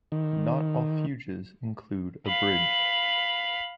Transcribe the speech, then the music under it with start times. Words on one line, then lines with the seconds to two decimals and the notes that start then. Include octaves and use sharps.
Not all fugues include a bridge.
0.12 D#3
2.26 F5 B5